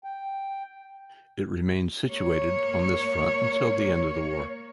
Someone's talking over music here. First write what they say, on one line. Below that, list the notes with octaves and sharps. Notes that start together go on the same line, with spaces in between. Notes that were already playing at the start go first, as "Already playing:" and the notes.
It remained situated on this front until the end of the war.
G5
A#3 C#5